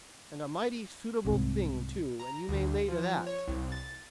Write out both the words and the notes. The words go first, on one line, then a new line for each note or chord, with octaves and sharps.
And a mighty suitable thing, too, and you may lay to that.
C2 G#2 C3
A#5
D2
F3
C#5
C2
A6